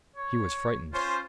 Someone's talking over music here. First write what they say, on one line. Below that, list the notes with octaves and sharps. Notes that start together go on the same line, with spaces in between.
He was frightened.
C#5
C#4 F4 C5